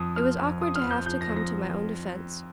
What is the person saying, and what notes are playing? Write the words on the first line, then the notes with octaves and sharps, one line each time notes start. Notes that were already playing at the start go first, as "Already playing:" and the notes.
It was awkward to have to come to my own defense.
Already playing: F2 F3 D#6
F3 F6
F2
F3 D#6
F6
F2
G6
F3 G6
A#6
F2
A#6